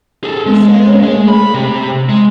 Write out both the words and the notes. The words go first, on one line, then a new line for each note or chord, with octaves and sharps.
He settled in New York.
G#4 A4
G#3
G#3 G#4
B5
C3
G#3